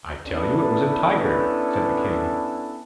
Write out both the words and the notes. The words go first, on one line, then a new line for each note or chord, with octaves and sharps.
'I tell you it was a tiger,' said the king.
B3 C#4 D4 E4 A4 B4